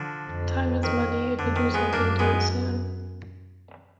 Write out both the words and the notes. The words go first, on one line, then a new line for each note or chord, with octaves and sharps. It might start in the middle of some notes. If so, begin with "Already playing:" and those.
Time is money; if you do something, do it soon.
Already playing: D3 F3
F2
D#3
F2 D3
D#3
G#3 B3
F#2 A#3 D4
G#3 B3